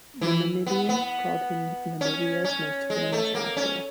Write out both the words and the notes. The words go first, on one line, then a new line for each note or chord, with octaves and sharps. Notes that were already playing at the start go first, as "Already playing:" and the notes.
"The Namibian" called him "Namibia's most famous actor".
E3
B3
B3
C#4
C#4
G#3
A3
A#3
C#4